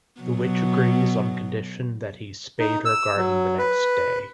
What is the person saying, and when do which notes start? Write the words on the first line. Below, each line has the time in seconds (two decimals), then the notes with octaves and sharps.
The witch agrees on condition that he spade her garden the next day.
0.20 B2 F#3
2.59 D#4
2.85 E6
3.17 F#3
3.59 B4